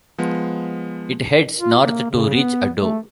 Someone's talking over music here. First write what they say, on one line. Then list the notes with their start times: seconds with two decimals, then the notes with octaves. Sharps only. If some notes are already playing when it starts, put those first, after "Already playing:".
It heads north to reach Addo.
0.18 F3 G#3 B3
1.60 F4
1.81 A#3
2.10 C#3
2.34 B3
2.80 A3